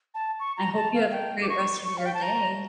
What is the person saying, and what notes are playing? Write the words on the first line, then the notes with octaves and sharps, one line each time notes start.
I hope you have a great rest of your day.
A5
C#6
A#5
A5
F5
G5
D6
C#6
C#6
F5
G5
A5
A#5